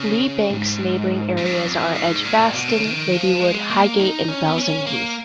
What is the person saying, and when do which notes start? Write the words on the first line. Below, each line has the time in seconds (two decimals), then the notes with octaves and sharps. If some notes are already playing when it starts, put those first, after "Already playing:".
Lee Bank's neighbouring areas are Edgbaston, Ladywood, Highgate and Balsall Heath.
Already playing: C#3
0.50 G#2
1.37 F#2
1.46 G#2
1.54 F#2
1.67 F2
1.95 G#2
2.24 A#2
2.54 B2
2.68 C#3
2.83 D#3
3.12 F3
3.41 G#3
3.70 A#3
3.99 D#4
4.28 C#4
4.48 B3
4.58 C#4
4.87 A#3